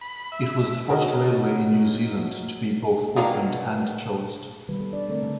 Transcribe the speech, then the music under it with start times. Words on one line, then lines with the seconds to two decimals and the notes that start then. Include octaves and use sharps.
It was the first railway in New Zealand to be both opened and closed.
0.01 B5
0.32 E5
0.88 D#4 F#4 G#4 A#4 C#5 D#5
3.16 D#3 F#3 A#3 B3 D4
4.68 B2 D#3 G3 B4
4.80 B3 A4
4.93 D4 D5
5.09 D3 A3 C4 A4 A#4 D5
5.23 C#3